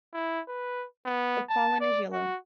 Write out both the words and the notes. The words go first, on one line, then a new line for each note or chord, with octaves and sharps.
The pollen is yellow.
E4
B4
B3
A5
D5
F#4